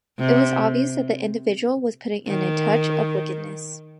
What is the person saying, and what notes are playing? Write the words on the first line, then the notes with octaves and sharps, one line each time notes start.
It was obvious that the individual was putting in a touch of wickedness...
C3
D#3